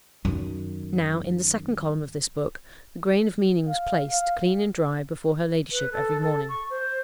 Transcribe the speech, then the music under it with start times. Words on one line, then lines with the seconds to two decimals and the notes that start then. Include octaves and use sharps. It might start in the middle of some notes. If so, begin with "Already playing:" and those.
Now, in the second column of this book, the grain of meaning was placed, clean and dry, before her ladyship every morning.
0.25 F#2 D#3
3.68 F5
4.11 F5
5.72 B4
5.92 A4
6.21 A4
6.49 C#6
6.70 C5